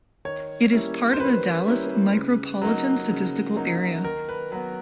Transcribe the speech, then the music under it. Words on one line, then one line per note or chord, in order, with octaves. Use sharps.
It is part of the Dallas micropolitan statistical area.
D#3 C#5
G3 A#3 C#4 E4
C5
D#3 B4
G3 A#3 C#4 E4
C#3
F#3 A#3 D#4
C#3
F#3 A#3 D#4
D#3 A#4
B4
F#3 B3 B4